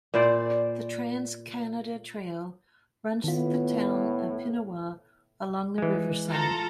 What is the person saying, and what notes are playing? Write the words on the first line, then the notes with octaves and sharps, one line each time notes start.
The Trans-Canada Trail runs through the town of Pinawa along the Riverside.
A#2 E4 C5 D5
A2 D#3 B3 F4
E3 G#3
F4 A4 A#5